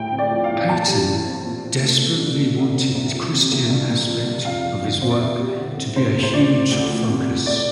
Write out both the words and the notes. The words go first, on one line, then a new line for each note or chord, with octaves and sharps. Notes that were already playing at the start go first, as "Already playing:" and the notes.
Paton desperately wanted the Christian aspect of his work to be a huge focus.
Already playing: D2 A2 G5
C4
D5
F3
F5
A2
E2 A5
G3
E3
C4
A#2
C4
A3
A#2
G2
A3
D3
C4
C2
F3
C3
C2
G2
A#3
F3
G2
F2 F5
F3
D3
C4 C5
D5
E2 E5
G3
D3
C4
A2 C5
A#3
C5
F3 D5
A2
D2
F3
C3
A3
A2 D5